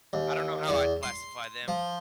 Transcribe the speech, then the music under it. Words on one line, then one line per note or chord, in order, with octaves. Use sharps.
I don't know how I'd classify them.
D#2
E2
C6
F3